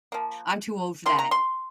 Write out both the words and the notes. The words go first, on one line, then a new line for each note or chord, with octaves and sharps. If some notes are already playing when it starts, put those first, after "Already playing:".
I'm too old for that.
F3 A#3
D#3 A#3 C6
A#5
C6